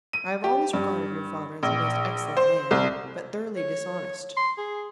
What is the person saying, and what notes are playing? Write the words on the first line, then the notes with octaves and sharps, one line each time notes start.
I have always regarded your father as a most excellent man, but thoroughly dishonest.
D#7
G4
G2
A#1
C5
C2
C#5
C6
G#4